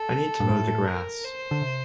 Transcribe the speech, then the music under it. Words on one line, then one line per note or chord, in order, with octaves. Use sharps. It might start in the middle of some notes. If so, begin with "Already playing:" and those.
I need to mow the grass.
Already playing: A4
G2
A2
A#4
C5
D3
C3